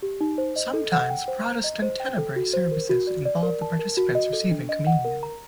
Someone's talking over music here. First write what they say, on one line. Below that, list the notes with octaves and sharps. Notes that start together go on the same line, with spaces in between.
Sometimes Protestant Tenebrae services involve the participants receiving Communion.
G4
D#4
C5
D#5
A4
F#5
G5
C5
A#5
D#5
C5
G5
A4
F#4
C5
A#4
F#4
D5
D5
A#4
A5
A#4
F#4
D#5
A4
D4
D#5
F#5
A#4
A#5